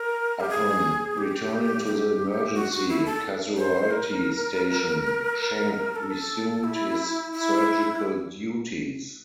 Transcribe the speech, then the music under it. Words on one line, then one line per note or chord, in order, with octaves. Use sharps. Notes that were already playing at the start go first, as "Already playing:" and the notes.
Upon returning to the emergency casualty station, Schenck resumed his surgical duties.
Already playing: A#4
G4
G#4
G4
G4
F#4
F#4
E4
A4
C5
A#4
A4
A#4
A4
E4
E4